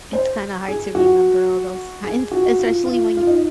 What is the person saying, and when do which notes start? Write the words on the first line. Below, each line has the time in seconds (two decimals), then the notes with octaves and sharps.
It's kinda hard to remember all those kinds, especially when you
0.13 C5
0.68 G#4
0.95 F#4
2.04 G#4
2.31 F#4
2.59 F4
2.86 F4
3.17 F4
3.27 D#4